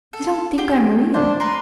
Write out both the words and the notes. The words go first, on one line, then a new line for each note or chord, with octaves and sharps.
They don't think I'm real.
A4
G4 G#4 G5
D4 C5
A#4 B4 C6